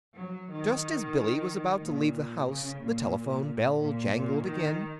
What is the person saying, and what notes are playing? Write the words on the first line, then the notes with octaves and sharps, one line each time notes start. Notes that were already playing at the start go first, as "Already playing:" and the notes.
Just as Billy was about to leave the house the telephone bell jangled again.
F#3
D#3
A#2
C#3
A#2
A#2
A#2
D#3